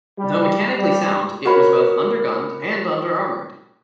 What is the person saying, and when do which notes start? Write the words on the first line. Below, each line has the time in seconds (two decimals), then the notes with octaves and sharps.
Though mechanically sound, it was both under-gunned and under-armoured.
0.18 G3
0.77 G3
1.45 F#4 A#4 C#5 B5